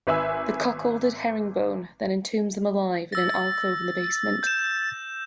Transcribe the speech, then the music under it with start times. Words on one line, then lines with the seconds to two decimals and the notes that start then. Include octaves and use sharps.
The cuckolded Herringbone then entombs them alive in an alcove in the basement.
0.07 G#1 B4 E5 G#5 E6
3.12 E6 A6 A#6
4.43 G6 E7